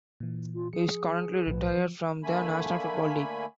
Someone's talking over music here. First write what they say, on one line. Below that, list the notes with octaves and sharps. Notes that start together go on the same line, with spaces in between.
He is currently retired from the National Football League.
A#2 E3
F4
F3 G#4 C#7
B1 A2 F3 B4
F3
D3 A3 A#3 G#5 B5